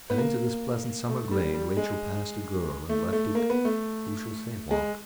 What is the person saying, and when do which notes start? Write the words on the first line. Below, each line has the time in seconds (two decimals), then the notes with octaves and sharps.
And into this pleasant summer glade Rachel passed a girl, and left it, who shall say what?
0.10 B3
0.18 A#3
1.09 A3
1.31 G3
1.54 G3
1.77 G#3
2.89 A3
3.13 A3
3.35 A#3
3.50 B3
3.65 A3
4.71 G#3